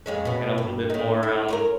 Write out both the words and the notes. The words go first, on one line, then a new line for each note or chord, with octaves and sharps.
and a little bit more, um,
F2 G#3 C#4
B2 B3
G2
A2 D#4
E4
C#4 F4 A#4